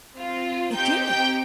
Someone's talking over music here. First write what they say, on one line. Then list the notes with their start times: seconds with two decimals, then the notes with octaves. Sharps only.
It did!
0.13 C4 F4
0.73 C4 D#4 G4 G5 G6
1.03 G5 G6